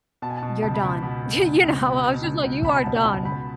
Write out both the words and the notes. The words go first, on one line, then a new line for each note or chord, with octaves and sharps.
"You're done." You know? I was just like, "You are done."
B2 A5
G#5
A5
B2
C#2 A5
B5
C#2
A5
B2
B2
C#2
C#2
B2
B2
C#2
C#2
B2 B5
B2 A5
G#5
C#2 A5
C#2 B5